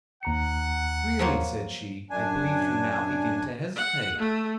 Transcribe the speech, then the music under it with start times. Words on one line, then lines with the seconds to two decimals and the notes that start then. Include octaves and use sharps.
"Really," said she, "I believe you now begin to hesitate."
0.23 D#2 F#5 A#5 C#7
1.19 F3 F#3 A#3
2.10 F#2 D4 G#5
3.76 F#5
4.18 A3